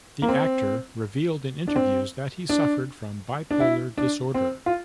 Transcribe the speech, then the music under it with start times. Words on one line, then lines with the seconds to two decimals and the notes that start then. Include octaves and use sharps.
The actor revealed in interviews, that he suffered from bipolar disorder.
0.22 A#3
0.29 C4
1.68 D4
1.76 C4
2.49 D4
3.51 D4
3.60 E4
3.98 D4
4.34 C4
4.66 F4